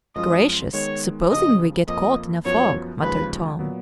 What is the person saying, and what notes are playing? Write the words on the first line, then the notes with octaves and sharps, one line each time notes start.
"Gracious, supposing we get caught in a fog!" muttered Tom.
F#2 F3 G#3 C#4 F4 D#5
D#3 G#3 B3 C#5
D#2 C#3 F3 D#5
F2 F3 A#3 D#5
F#2 F3 B3 F#4 C#5
D#2 C#3 F3 G#3 B4
A#2 F#3 B3